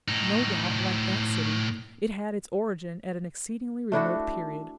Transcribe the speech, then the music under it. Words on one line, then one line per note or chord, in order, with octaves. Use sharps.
No doubt, like that city, it had its origin at an exceedingly remote period.
A2 D#4
A3 D4 E4 F#4